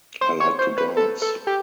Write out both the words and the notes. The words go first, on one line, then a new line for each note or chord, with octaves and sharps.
I like to dance.
C5
C#5
C5
B4
A4
A4
G4